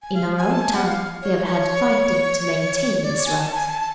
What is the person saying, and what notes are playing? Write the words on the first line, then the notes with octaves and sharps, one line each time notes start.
In our own time we have had fighting to maintain this right.
G#5
F5
G#5
A5
G#5
F#5
F5
C#5
C#5
D5
C#5
G#5
A5
G#5
A5